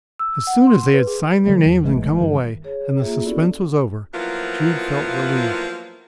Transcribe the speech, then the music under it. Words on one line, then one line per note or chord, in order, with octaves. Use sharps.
As soon as they had signed their names and come away, and the suspense was over, Jude felt relieved.
E6
F#5
C6
B4
G#4
D3 F#3 A3
E2
G#1 E3 G#3 A3
G2 D#3 E3
G#4 C#5
A#3 F4 G#4 E5
B3 C#4 E4 F#4 A4 D5
F3 F#3 A#3 B3 E4 F4